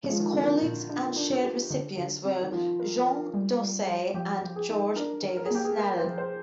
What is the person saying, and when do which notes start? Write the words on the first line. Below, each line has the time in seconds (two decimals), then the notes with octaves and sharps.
His colleagues and shared recipients were Jean Dausset and George Davis Snell.
0.09 F3 G#3
0.19 D#3
0.32 D3 C4
0.43 D#3
0.62 A#2
0.89 D4
1.16 D4
1.44 G4
1.71 D3
1.97 D3
2.25 C4
2.41 D#3
2.52 F3 F4
2.80 A#4
3.06 A#4
3.34 G3
3.61 G3
3.87 F4
4.14 F3 G4
4.42 F3
4.56 G#4
4.69 D#4
4.96 D4 A#4
5.23 D#3
5.37 A#4
5.45 G#4
5.51 A#3 G4
5.64 G#4
5.78 G4 A#4
5.97 C5
6.04 F3
6.18 C5